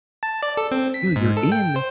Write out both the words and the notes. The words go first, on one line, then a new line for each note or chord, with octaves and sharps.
yo, you're in
A5
D5
A4
C4
B6
G#2
A4
G5
C5